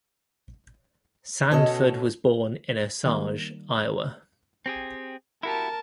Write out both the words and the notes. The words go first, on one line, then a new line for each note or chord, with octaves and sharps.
Sandford was born in Osage, Iowa.
B2 C#4 A4 C#5 D#5
D#3 G3 A#3
C4 G4 G#4
E4 F#4 G4 A#4 A5